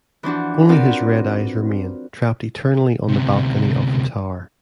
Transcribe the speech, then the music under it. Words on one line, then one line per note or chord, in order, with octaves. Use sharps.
Only his red eyes remain, trapped eternally on the balcony of the Tower.
E3 F3 D4 F#4
C4 F4 F#4 A#4 B4 D5
D2 C3